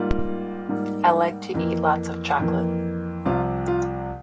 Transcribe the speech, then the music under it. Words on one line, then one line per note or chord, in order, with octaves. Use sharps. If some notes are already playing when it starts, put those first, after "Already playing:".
I like to eat lots of chocolate.
Already playing: G#2 G3 A#3 F4
G#2 G3 A#3
F2 E3 A#3
F2 E3 A#3
C2 C3 F3 F4
F4